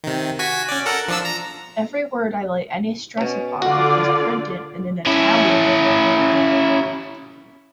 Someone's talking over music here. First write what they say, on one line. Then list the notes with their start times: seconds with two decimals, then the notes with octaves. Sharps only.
Every word I lay any stress upon, is printed in an Italian character.
0.04 C3 D#3
0.39 F#4 G#5 B6
0.69 C#4 D5
0.86 A4 A#4 F#5
1.08 F3 D4 E6
1.25 A#5
3.17 B2 C#4
3.62 D3 F4 F#4 D5
5.06 C#4 E4